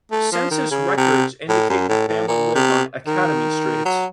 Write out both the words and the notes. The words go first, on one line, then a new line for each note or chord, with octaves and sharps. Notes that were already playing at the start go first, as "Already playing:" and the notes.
Census records indicate the family lived on Academy Street.
A3
F3
D#3
C#3
C3
A2
F#2
A2
A2
A#2
C3
D#3
F#3